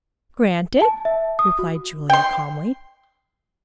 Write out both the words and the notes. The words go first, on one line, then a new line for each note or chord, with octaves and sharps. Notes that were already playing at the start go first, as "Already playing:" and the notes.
"Granted," replied Julia calmly.
A5
E5
D#6
F#4
G5 C6